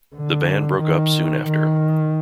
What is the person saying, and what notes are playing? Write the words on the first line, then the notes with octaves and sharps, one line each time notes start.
The band broke up soon after.
D3
D#3
D#3